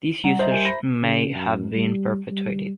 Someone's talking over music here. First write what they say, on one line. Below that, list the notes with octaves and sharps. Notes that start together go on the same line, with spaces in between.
This usage may have been perpetuated.
G3 F#5 A#5
C5 D#5 E5 A#5
G4 A#4 G#5
B5 A#6
C#3
F#2
G3
G3